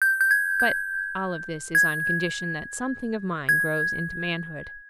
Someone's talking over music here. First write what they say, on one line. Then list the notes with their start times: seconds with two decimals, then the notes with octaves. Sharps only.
But all of this is on condition that something of mine grows into manhood.
0.02 G6
0.21 G6
0.31 G#6
0.60 G6
1.75 G#6
3.49 G#6